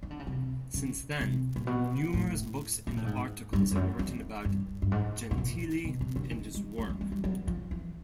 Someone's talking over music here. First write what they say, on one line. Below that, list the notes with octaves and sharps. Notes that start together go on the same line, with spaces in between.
Since then, numerous books and articles have been written about Gentili and his work.
D#3
D3
C#3
C3
C#3
C3
A#2
B2
A2
A#2
A2
G#2
G2
F2
F#2
F2
G2
G2
G#2
B2
A#2
B2
C3
D3
D#3
G#3
A3
A3
G#3
G3
F#3
F3
E3